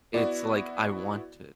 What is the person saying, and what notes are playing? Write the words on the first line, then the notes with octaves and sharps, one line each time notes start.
it's like I want to,
B3 E4 F#4 D5